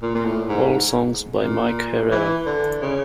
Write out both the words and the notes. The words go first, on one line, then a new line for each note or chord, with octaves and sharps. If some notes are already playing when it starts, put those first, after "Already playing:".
All songs by Mike Herrera.
A#2
A#2
A2
G#2
A#2
E3
D3
C#3